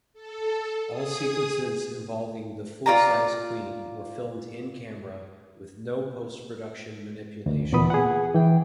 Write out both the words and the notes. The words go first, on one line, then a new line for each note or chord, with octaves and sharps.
All sequences involving the full size queen were filmed in-camera with no post-production manipulation.
A4
G#4 D#6
F4 D5 A#5
D2
D#2 A#2 E3 B3 B5 D#6
G#4 F#5
E3 G5